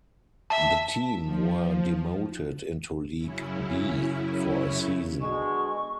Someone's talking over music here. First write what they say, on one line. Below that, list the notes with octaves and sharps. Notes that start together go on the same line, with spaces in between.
The team were demoted into League "B" for a season.
E5 A5
F3
F#2 C#3 C#4 E4
B2 D3 G#3 C#6